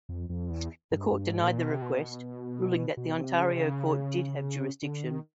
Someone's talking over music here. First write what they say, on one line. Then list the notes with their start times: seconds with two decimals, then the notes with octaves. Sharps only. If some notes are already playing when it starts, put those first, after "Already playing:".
The court denied the request, ruling that the Ontario court did have jurisdiction.
0.09 F2
0.29 F2
0.50 E2
0.91 G2
1.12 G2
1.28 G#2
1.43 A#2
1.58 B2
1.71 C3
1.82 B2
2.97 B2
3.18 C3
3.39 C#3
3.52 C3
3.59 C#3
4.82 D3
5.04 D#3